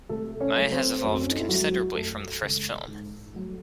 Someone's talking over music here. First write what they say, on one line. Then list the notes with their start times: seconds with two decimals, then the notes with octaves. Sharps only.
Maya has evolved considerably from the first film.
0.09 C3 A3 A4
0.40 C#4 C#5
0.56 F#3 A3
0.71 C4 C5
0.97 C5
1.02 F#2 A3 A4
1.12 C4
1.22 C#4
1.30 D#4
1.40 E4
1.48 E3 F#3 G#3 F#4
1.95 F#2 A3 A4
2.42 C#3 G#3
2.88 G#2
3.34 F#3 A3